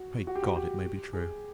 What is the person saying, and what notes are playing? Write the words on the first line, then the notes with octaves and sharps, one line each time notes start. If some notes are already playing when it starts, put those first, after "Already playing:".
Pray God, it may be true!
Already playing: F#4
F#4
G4
F#4
G4
G#4